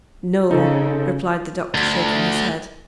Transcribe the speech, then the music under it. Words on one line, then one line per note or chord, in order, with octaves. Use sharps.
'No,' replied the Doctor, shaking his head.
C#3 D#4 A4 C5
D2